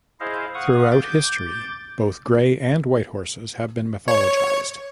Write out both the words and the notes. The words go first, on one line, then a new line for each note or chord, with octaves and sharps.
Throughout history, both gray and white horses have been mythologized.
E4 G#4 C5 D#5 F5
F5 F#5 C#6 D#6
D6 G6 A6
C#5